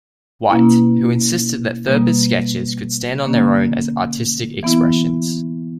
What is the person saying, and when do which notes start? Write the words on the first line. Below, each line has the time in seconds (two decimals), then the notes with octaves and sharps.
White, who insisted that Thurber's sketches could stand on their own as artistic expressions.
0.50 B2 A#3 C#4 E4
1.87 B2 G3 A#3
3.25 D3 A#3 C#4
4.63 E3 B3 E4